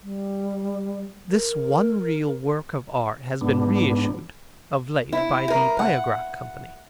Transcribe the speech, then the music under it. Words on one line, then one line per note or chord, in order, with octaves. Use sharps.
This one-reel work of art has been reissued of late by the Biograph Company.
G3
A#4
G#2 B3 D4
E4
A#4
F#5